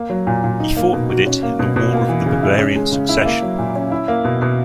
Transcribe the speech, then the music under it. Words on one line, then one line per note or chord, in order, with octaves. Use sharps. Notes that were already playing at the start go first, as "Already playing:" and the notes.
He fought with it in the War of the Bavarian Succession.
Already playing: A#3
F#3
A#2
A#2
D#4
A#3
B2
F#4
C#4
A#3
B2
B2
A#3
E3
C#3
E4
C#4
G#3
C#3
E4
A#3
F#3
A#2
C#4
E4
A#3
B2
B2